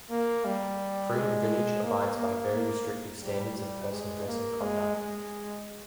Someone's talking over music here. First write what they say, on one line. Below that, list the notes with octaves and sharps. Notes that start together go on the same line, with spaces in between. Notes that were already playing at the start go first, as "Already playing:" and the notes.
Freedom Village abides by very restrictive standards of personal dress and conduct.
A#3
G3
G#3
A#3
A#3
A#3
G3
G3
G#3
A#3
G#3
G#3